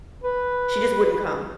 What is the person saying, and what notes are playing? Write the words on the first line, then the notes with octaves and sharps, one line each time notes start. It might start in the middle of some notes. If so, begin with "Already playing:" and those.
She just wouldn't come.
B4